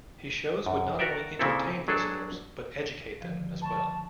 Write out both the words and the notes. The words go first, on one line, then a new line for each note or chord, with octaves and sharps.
His shows would not only entertain listeners, but educate them, as well.
F#2
F#4 A#4 D5 E5 G5
A#2 C#3 C4 E4 A4
F#3 D4 G#4 A4
D3 D#3 F3
A5 B5 C#6